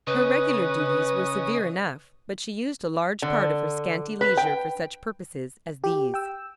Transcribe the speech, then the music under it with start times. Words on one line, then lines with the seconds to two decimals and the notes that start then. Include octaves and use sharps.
Her regular duties were severe enough but she used a large part of her scanty leisure for such purposes as these.
0.07 C#3 B4 D#5
3.22 D3
4.21 B4
4.37 G5
5.84 G4
6.14 G5 E6